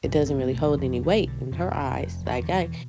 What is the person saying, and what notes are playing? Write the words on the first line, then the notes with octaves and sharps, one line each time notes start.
it doesn't really hold any weight in her eyes. Like, I
B1 G2 G3
B2 C4
B3
B1 A3
G3
F2 B2 F3
B1 E3
B2 D3
F2 B2 F3
F1
F1
E2 E3
D3
B2
E3